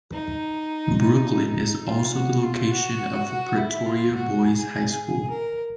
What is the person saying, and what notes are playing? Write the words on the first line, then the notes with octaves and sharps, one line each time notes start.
Brooklyn is also the location of Pretoria Boys High School.
D#4
F4
F#4
F4
F#4
E4
F4
F#4
G#4
A#4